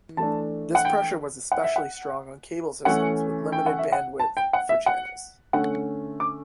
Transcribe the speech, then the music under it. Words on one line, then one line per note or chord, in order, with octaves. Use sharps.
This pressure was especially strong on cable systems with limited bandwidth for channels.
E3 A3 D4 A5
F#5
G5
F#5
E5
F#5
E3 A3 C#4 F#5
G5
F#5
E5
F#5
A5
G5
F#5
E5
F#5
D3 A3 C#4 F#5
D6